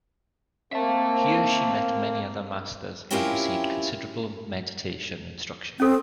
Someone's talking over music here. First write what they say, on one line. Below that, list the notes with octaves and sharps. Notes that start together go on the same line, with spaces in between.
Here she met many other masters and received considerable meditation instruction.
A#3 C4 E5 A5
C4 C#4 E4 F4 G4 A#4
C4 C#4 A4